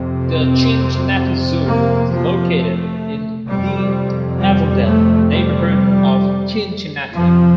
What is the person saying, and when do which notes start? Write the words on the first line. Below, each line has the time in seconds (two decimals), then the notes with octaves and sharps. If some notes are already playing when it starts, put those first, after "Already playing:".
The Cincinnati Zoo is located in the Avondale neighborhood of Cincinnati.
Already playing: F2 C3
0.27 C4
1.65 A#3
2.10 F3
2.56 A3
3.48 F2 C3 G3
4.39 G3
4.85 A3
5.31 G3
7.14 F2 C3 F3